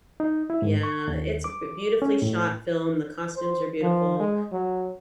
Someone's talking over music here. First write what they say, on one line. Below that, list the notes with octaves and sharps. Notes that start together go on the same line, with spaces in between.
yeah, it's a b beautifully shot film, the costumes are beautiful,
D#4
E4
G#2
C#6
D#2
D6
C#4
A2
C5
F3
G#3
F#3